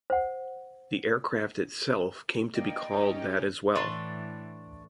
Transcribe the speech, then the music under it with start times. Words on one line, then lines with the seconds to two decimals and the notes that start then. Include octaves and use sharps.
The aircraft itself came to be called that as well.
0.10 C5 F#5
2.54 A#3 D5 D#5 G5
2.90 C#4 D#4 G4
3.75 A2 E3 A3 D4 C6